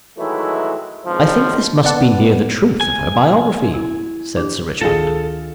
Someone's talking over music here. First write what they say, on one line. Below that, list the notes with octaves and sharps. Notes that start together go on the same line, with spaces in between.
"I think this must be near the truth of her biography," said Sir Richmond.
D#3 E3 F#3 G#3 A3 E4
G#1 C#2 F3
B3 D5 F#5 A5
G#5
E4
D4 G4
D2 D#3 F4 G#4 A4 A#6